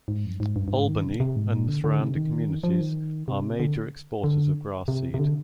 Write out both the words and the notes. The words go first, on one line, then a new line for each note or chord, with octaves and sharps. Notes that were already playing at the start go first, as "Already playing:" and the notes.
Albany and the surrounding communities are major exporters of grass seed.
G#2
F2
G2
G#2
G2
G2
G#2
D#3
C3
C3
G#2
A#2
D3
D3
C3
D#3
F3
D#3
C3
D3
D3
C3
C3
D3